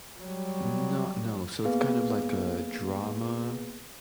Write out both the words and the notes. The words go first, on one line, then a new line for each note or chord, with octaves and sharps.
No, no, so it's kind of like a drama
F#3 G3
A#3 B3 G#4 B4 F5